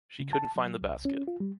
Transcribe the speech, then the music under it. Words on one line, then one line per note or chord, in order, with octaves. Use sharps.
She couldn’t find the basket.
C#3
A5
F#3
C2
C#4
F4
G3